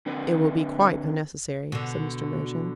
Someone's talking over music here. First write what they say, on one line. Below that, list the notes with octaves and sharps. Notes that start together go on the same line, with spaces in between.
"It will be quite unnecessary," said Mr. Merton.
D3 C4 B4
B2 D3